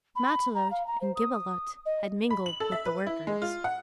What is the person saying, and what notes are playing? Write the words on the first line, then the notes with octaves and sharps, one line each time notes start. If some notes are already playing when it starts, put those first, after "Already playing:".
Matelote and Gibelotte had mingled with the workers.
B5
A#5
F5
A#5
C5
D#6
D#5
B5
F#7
A4
E5
B4
E4
G#3
F4
F#5